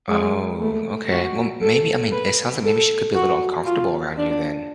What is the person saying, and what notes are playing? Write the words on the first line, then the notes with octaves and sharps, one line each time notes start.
Oh, okay. Well, maybe I mean, it sounds like maybe she could be a little uncomfortable around you then.
G#3
A3
F#4
A4
B4
A4
F#4
F4
D4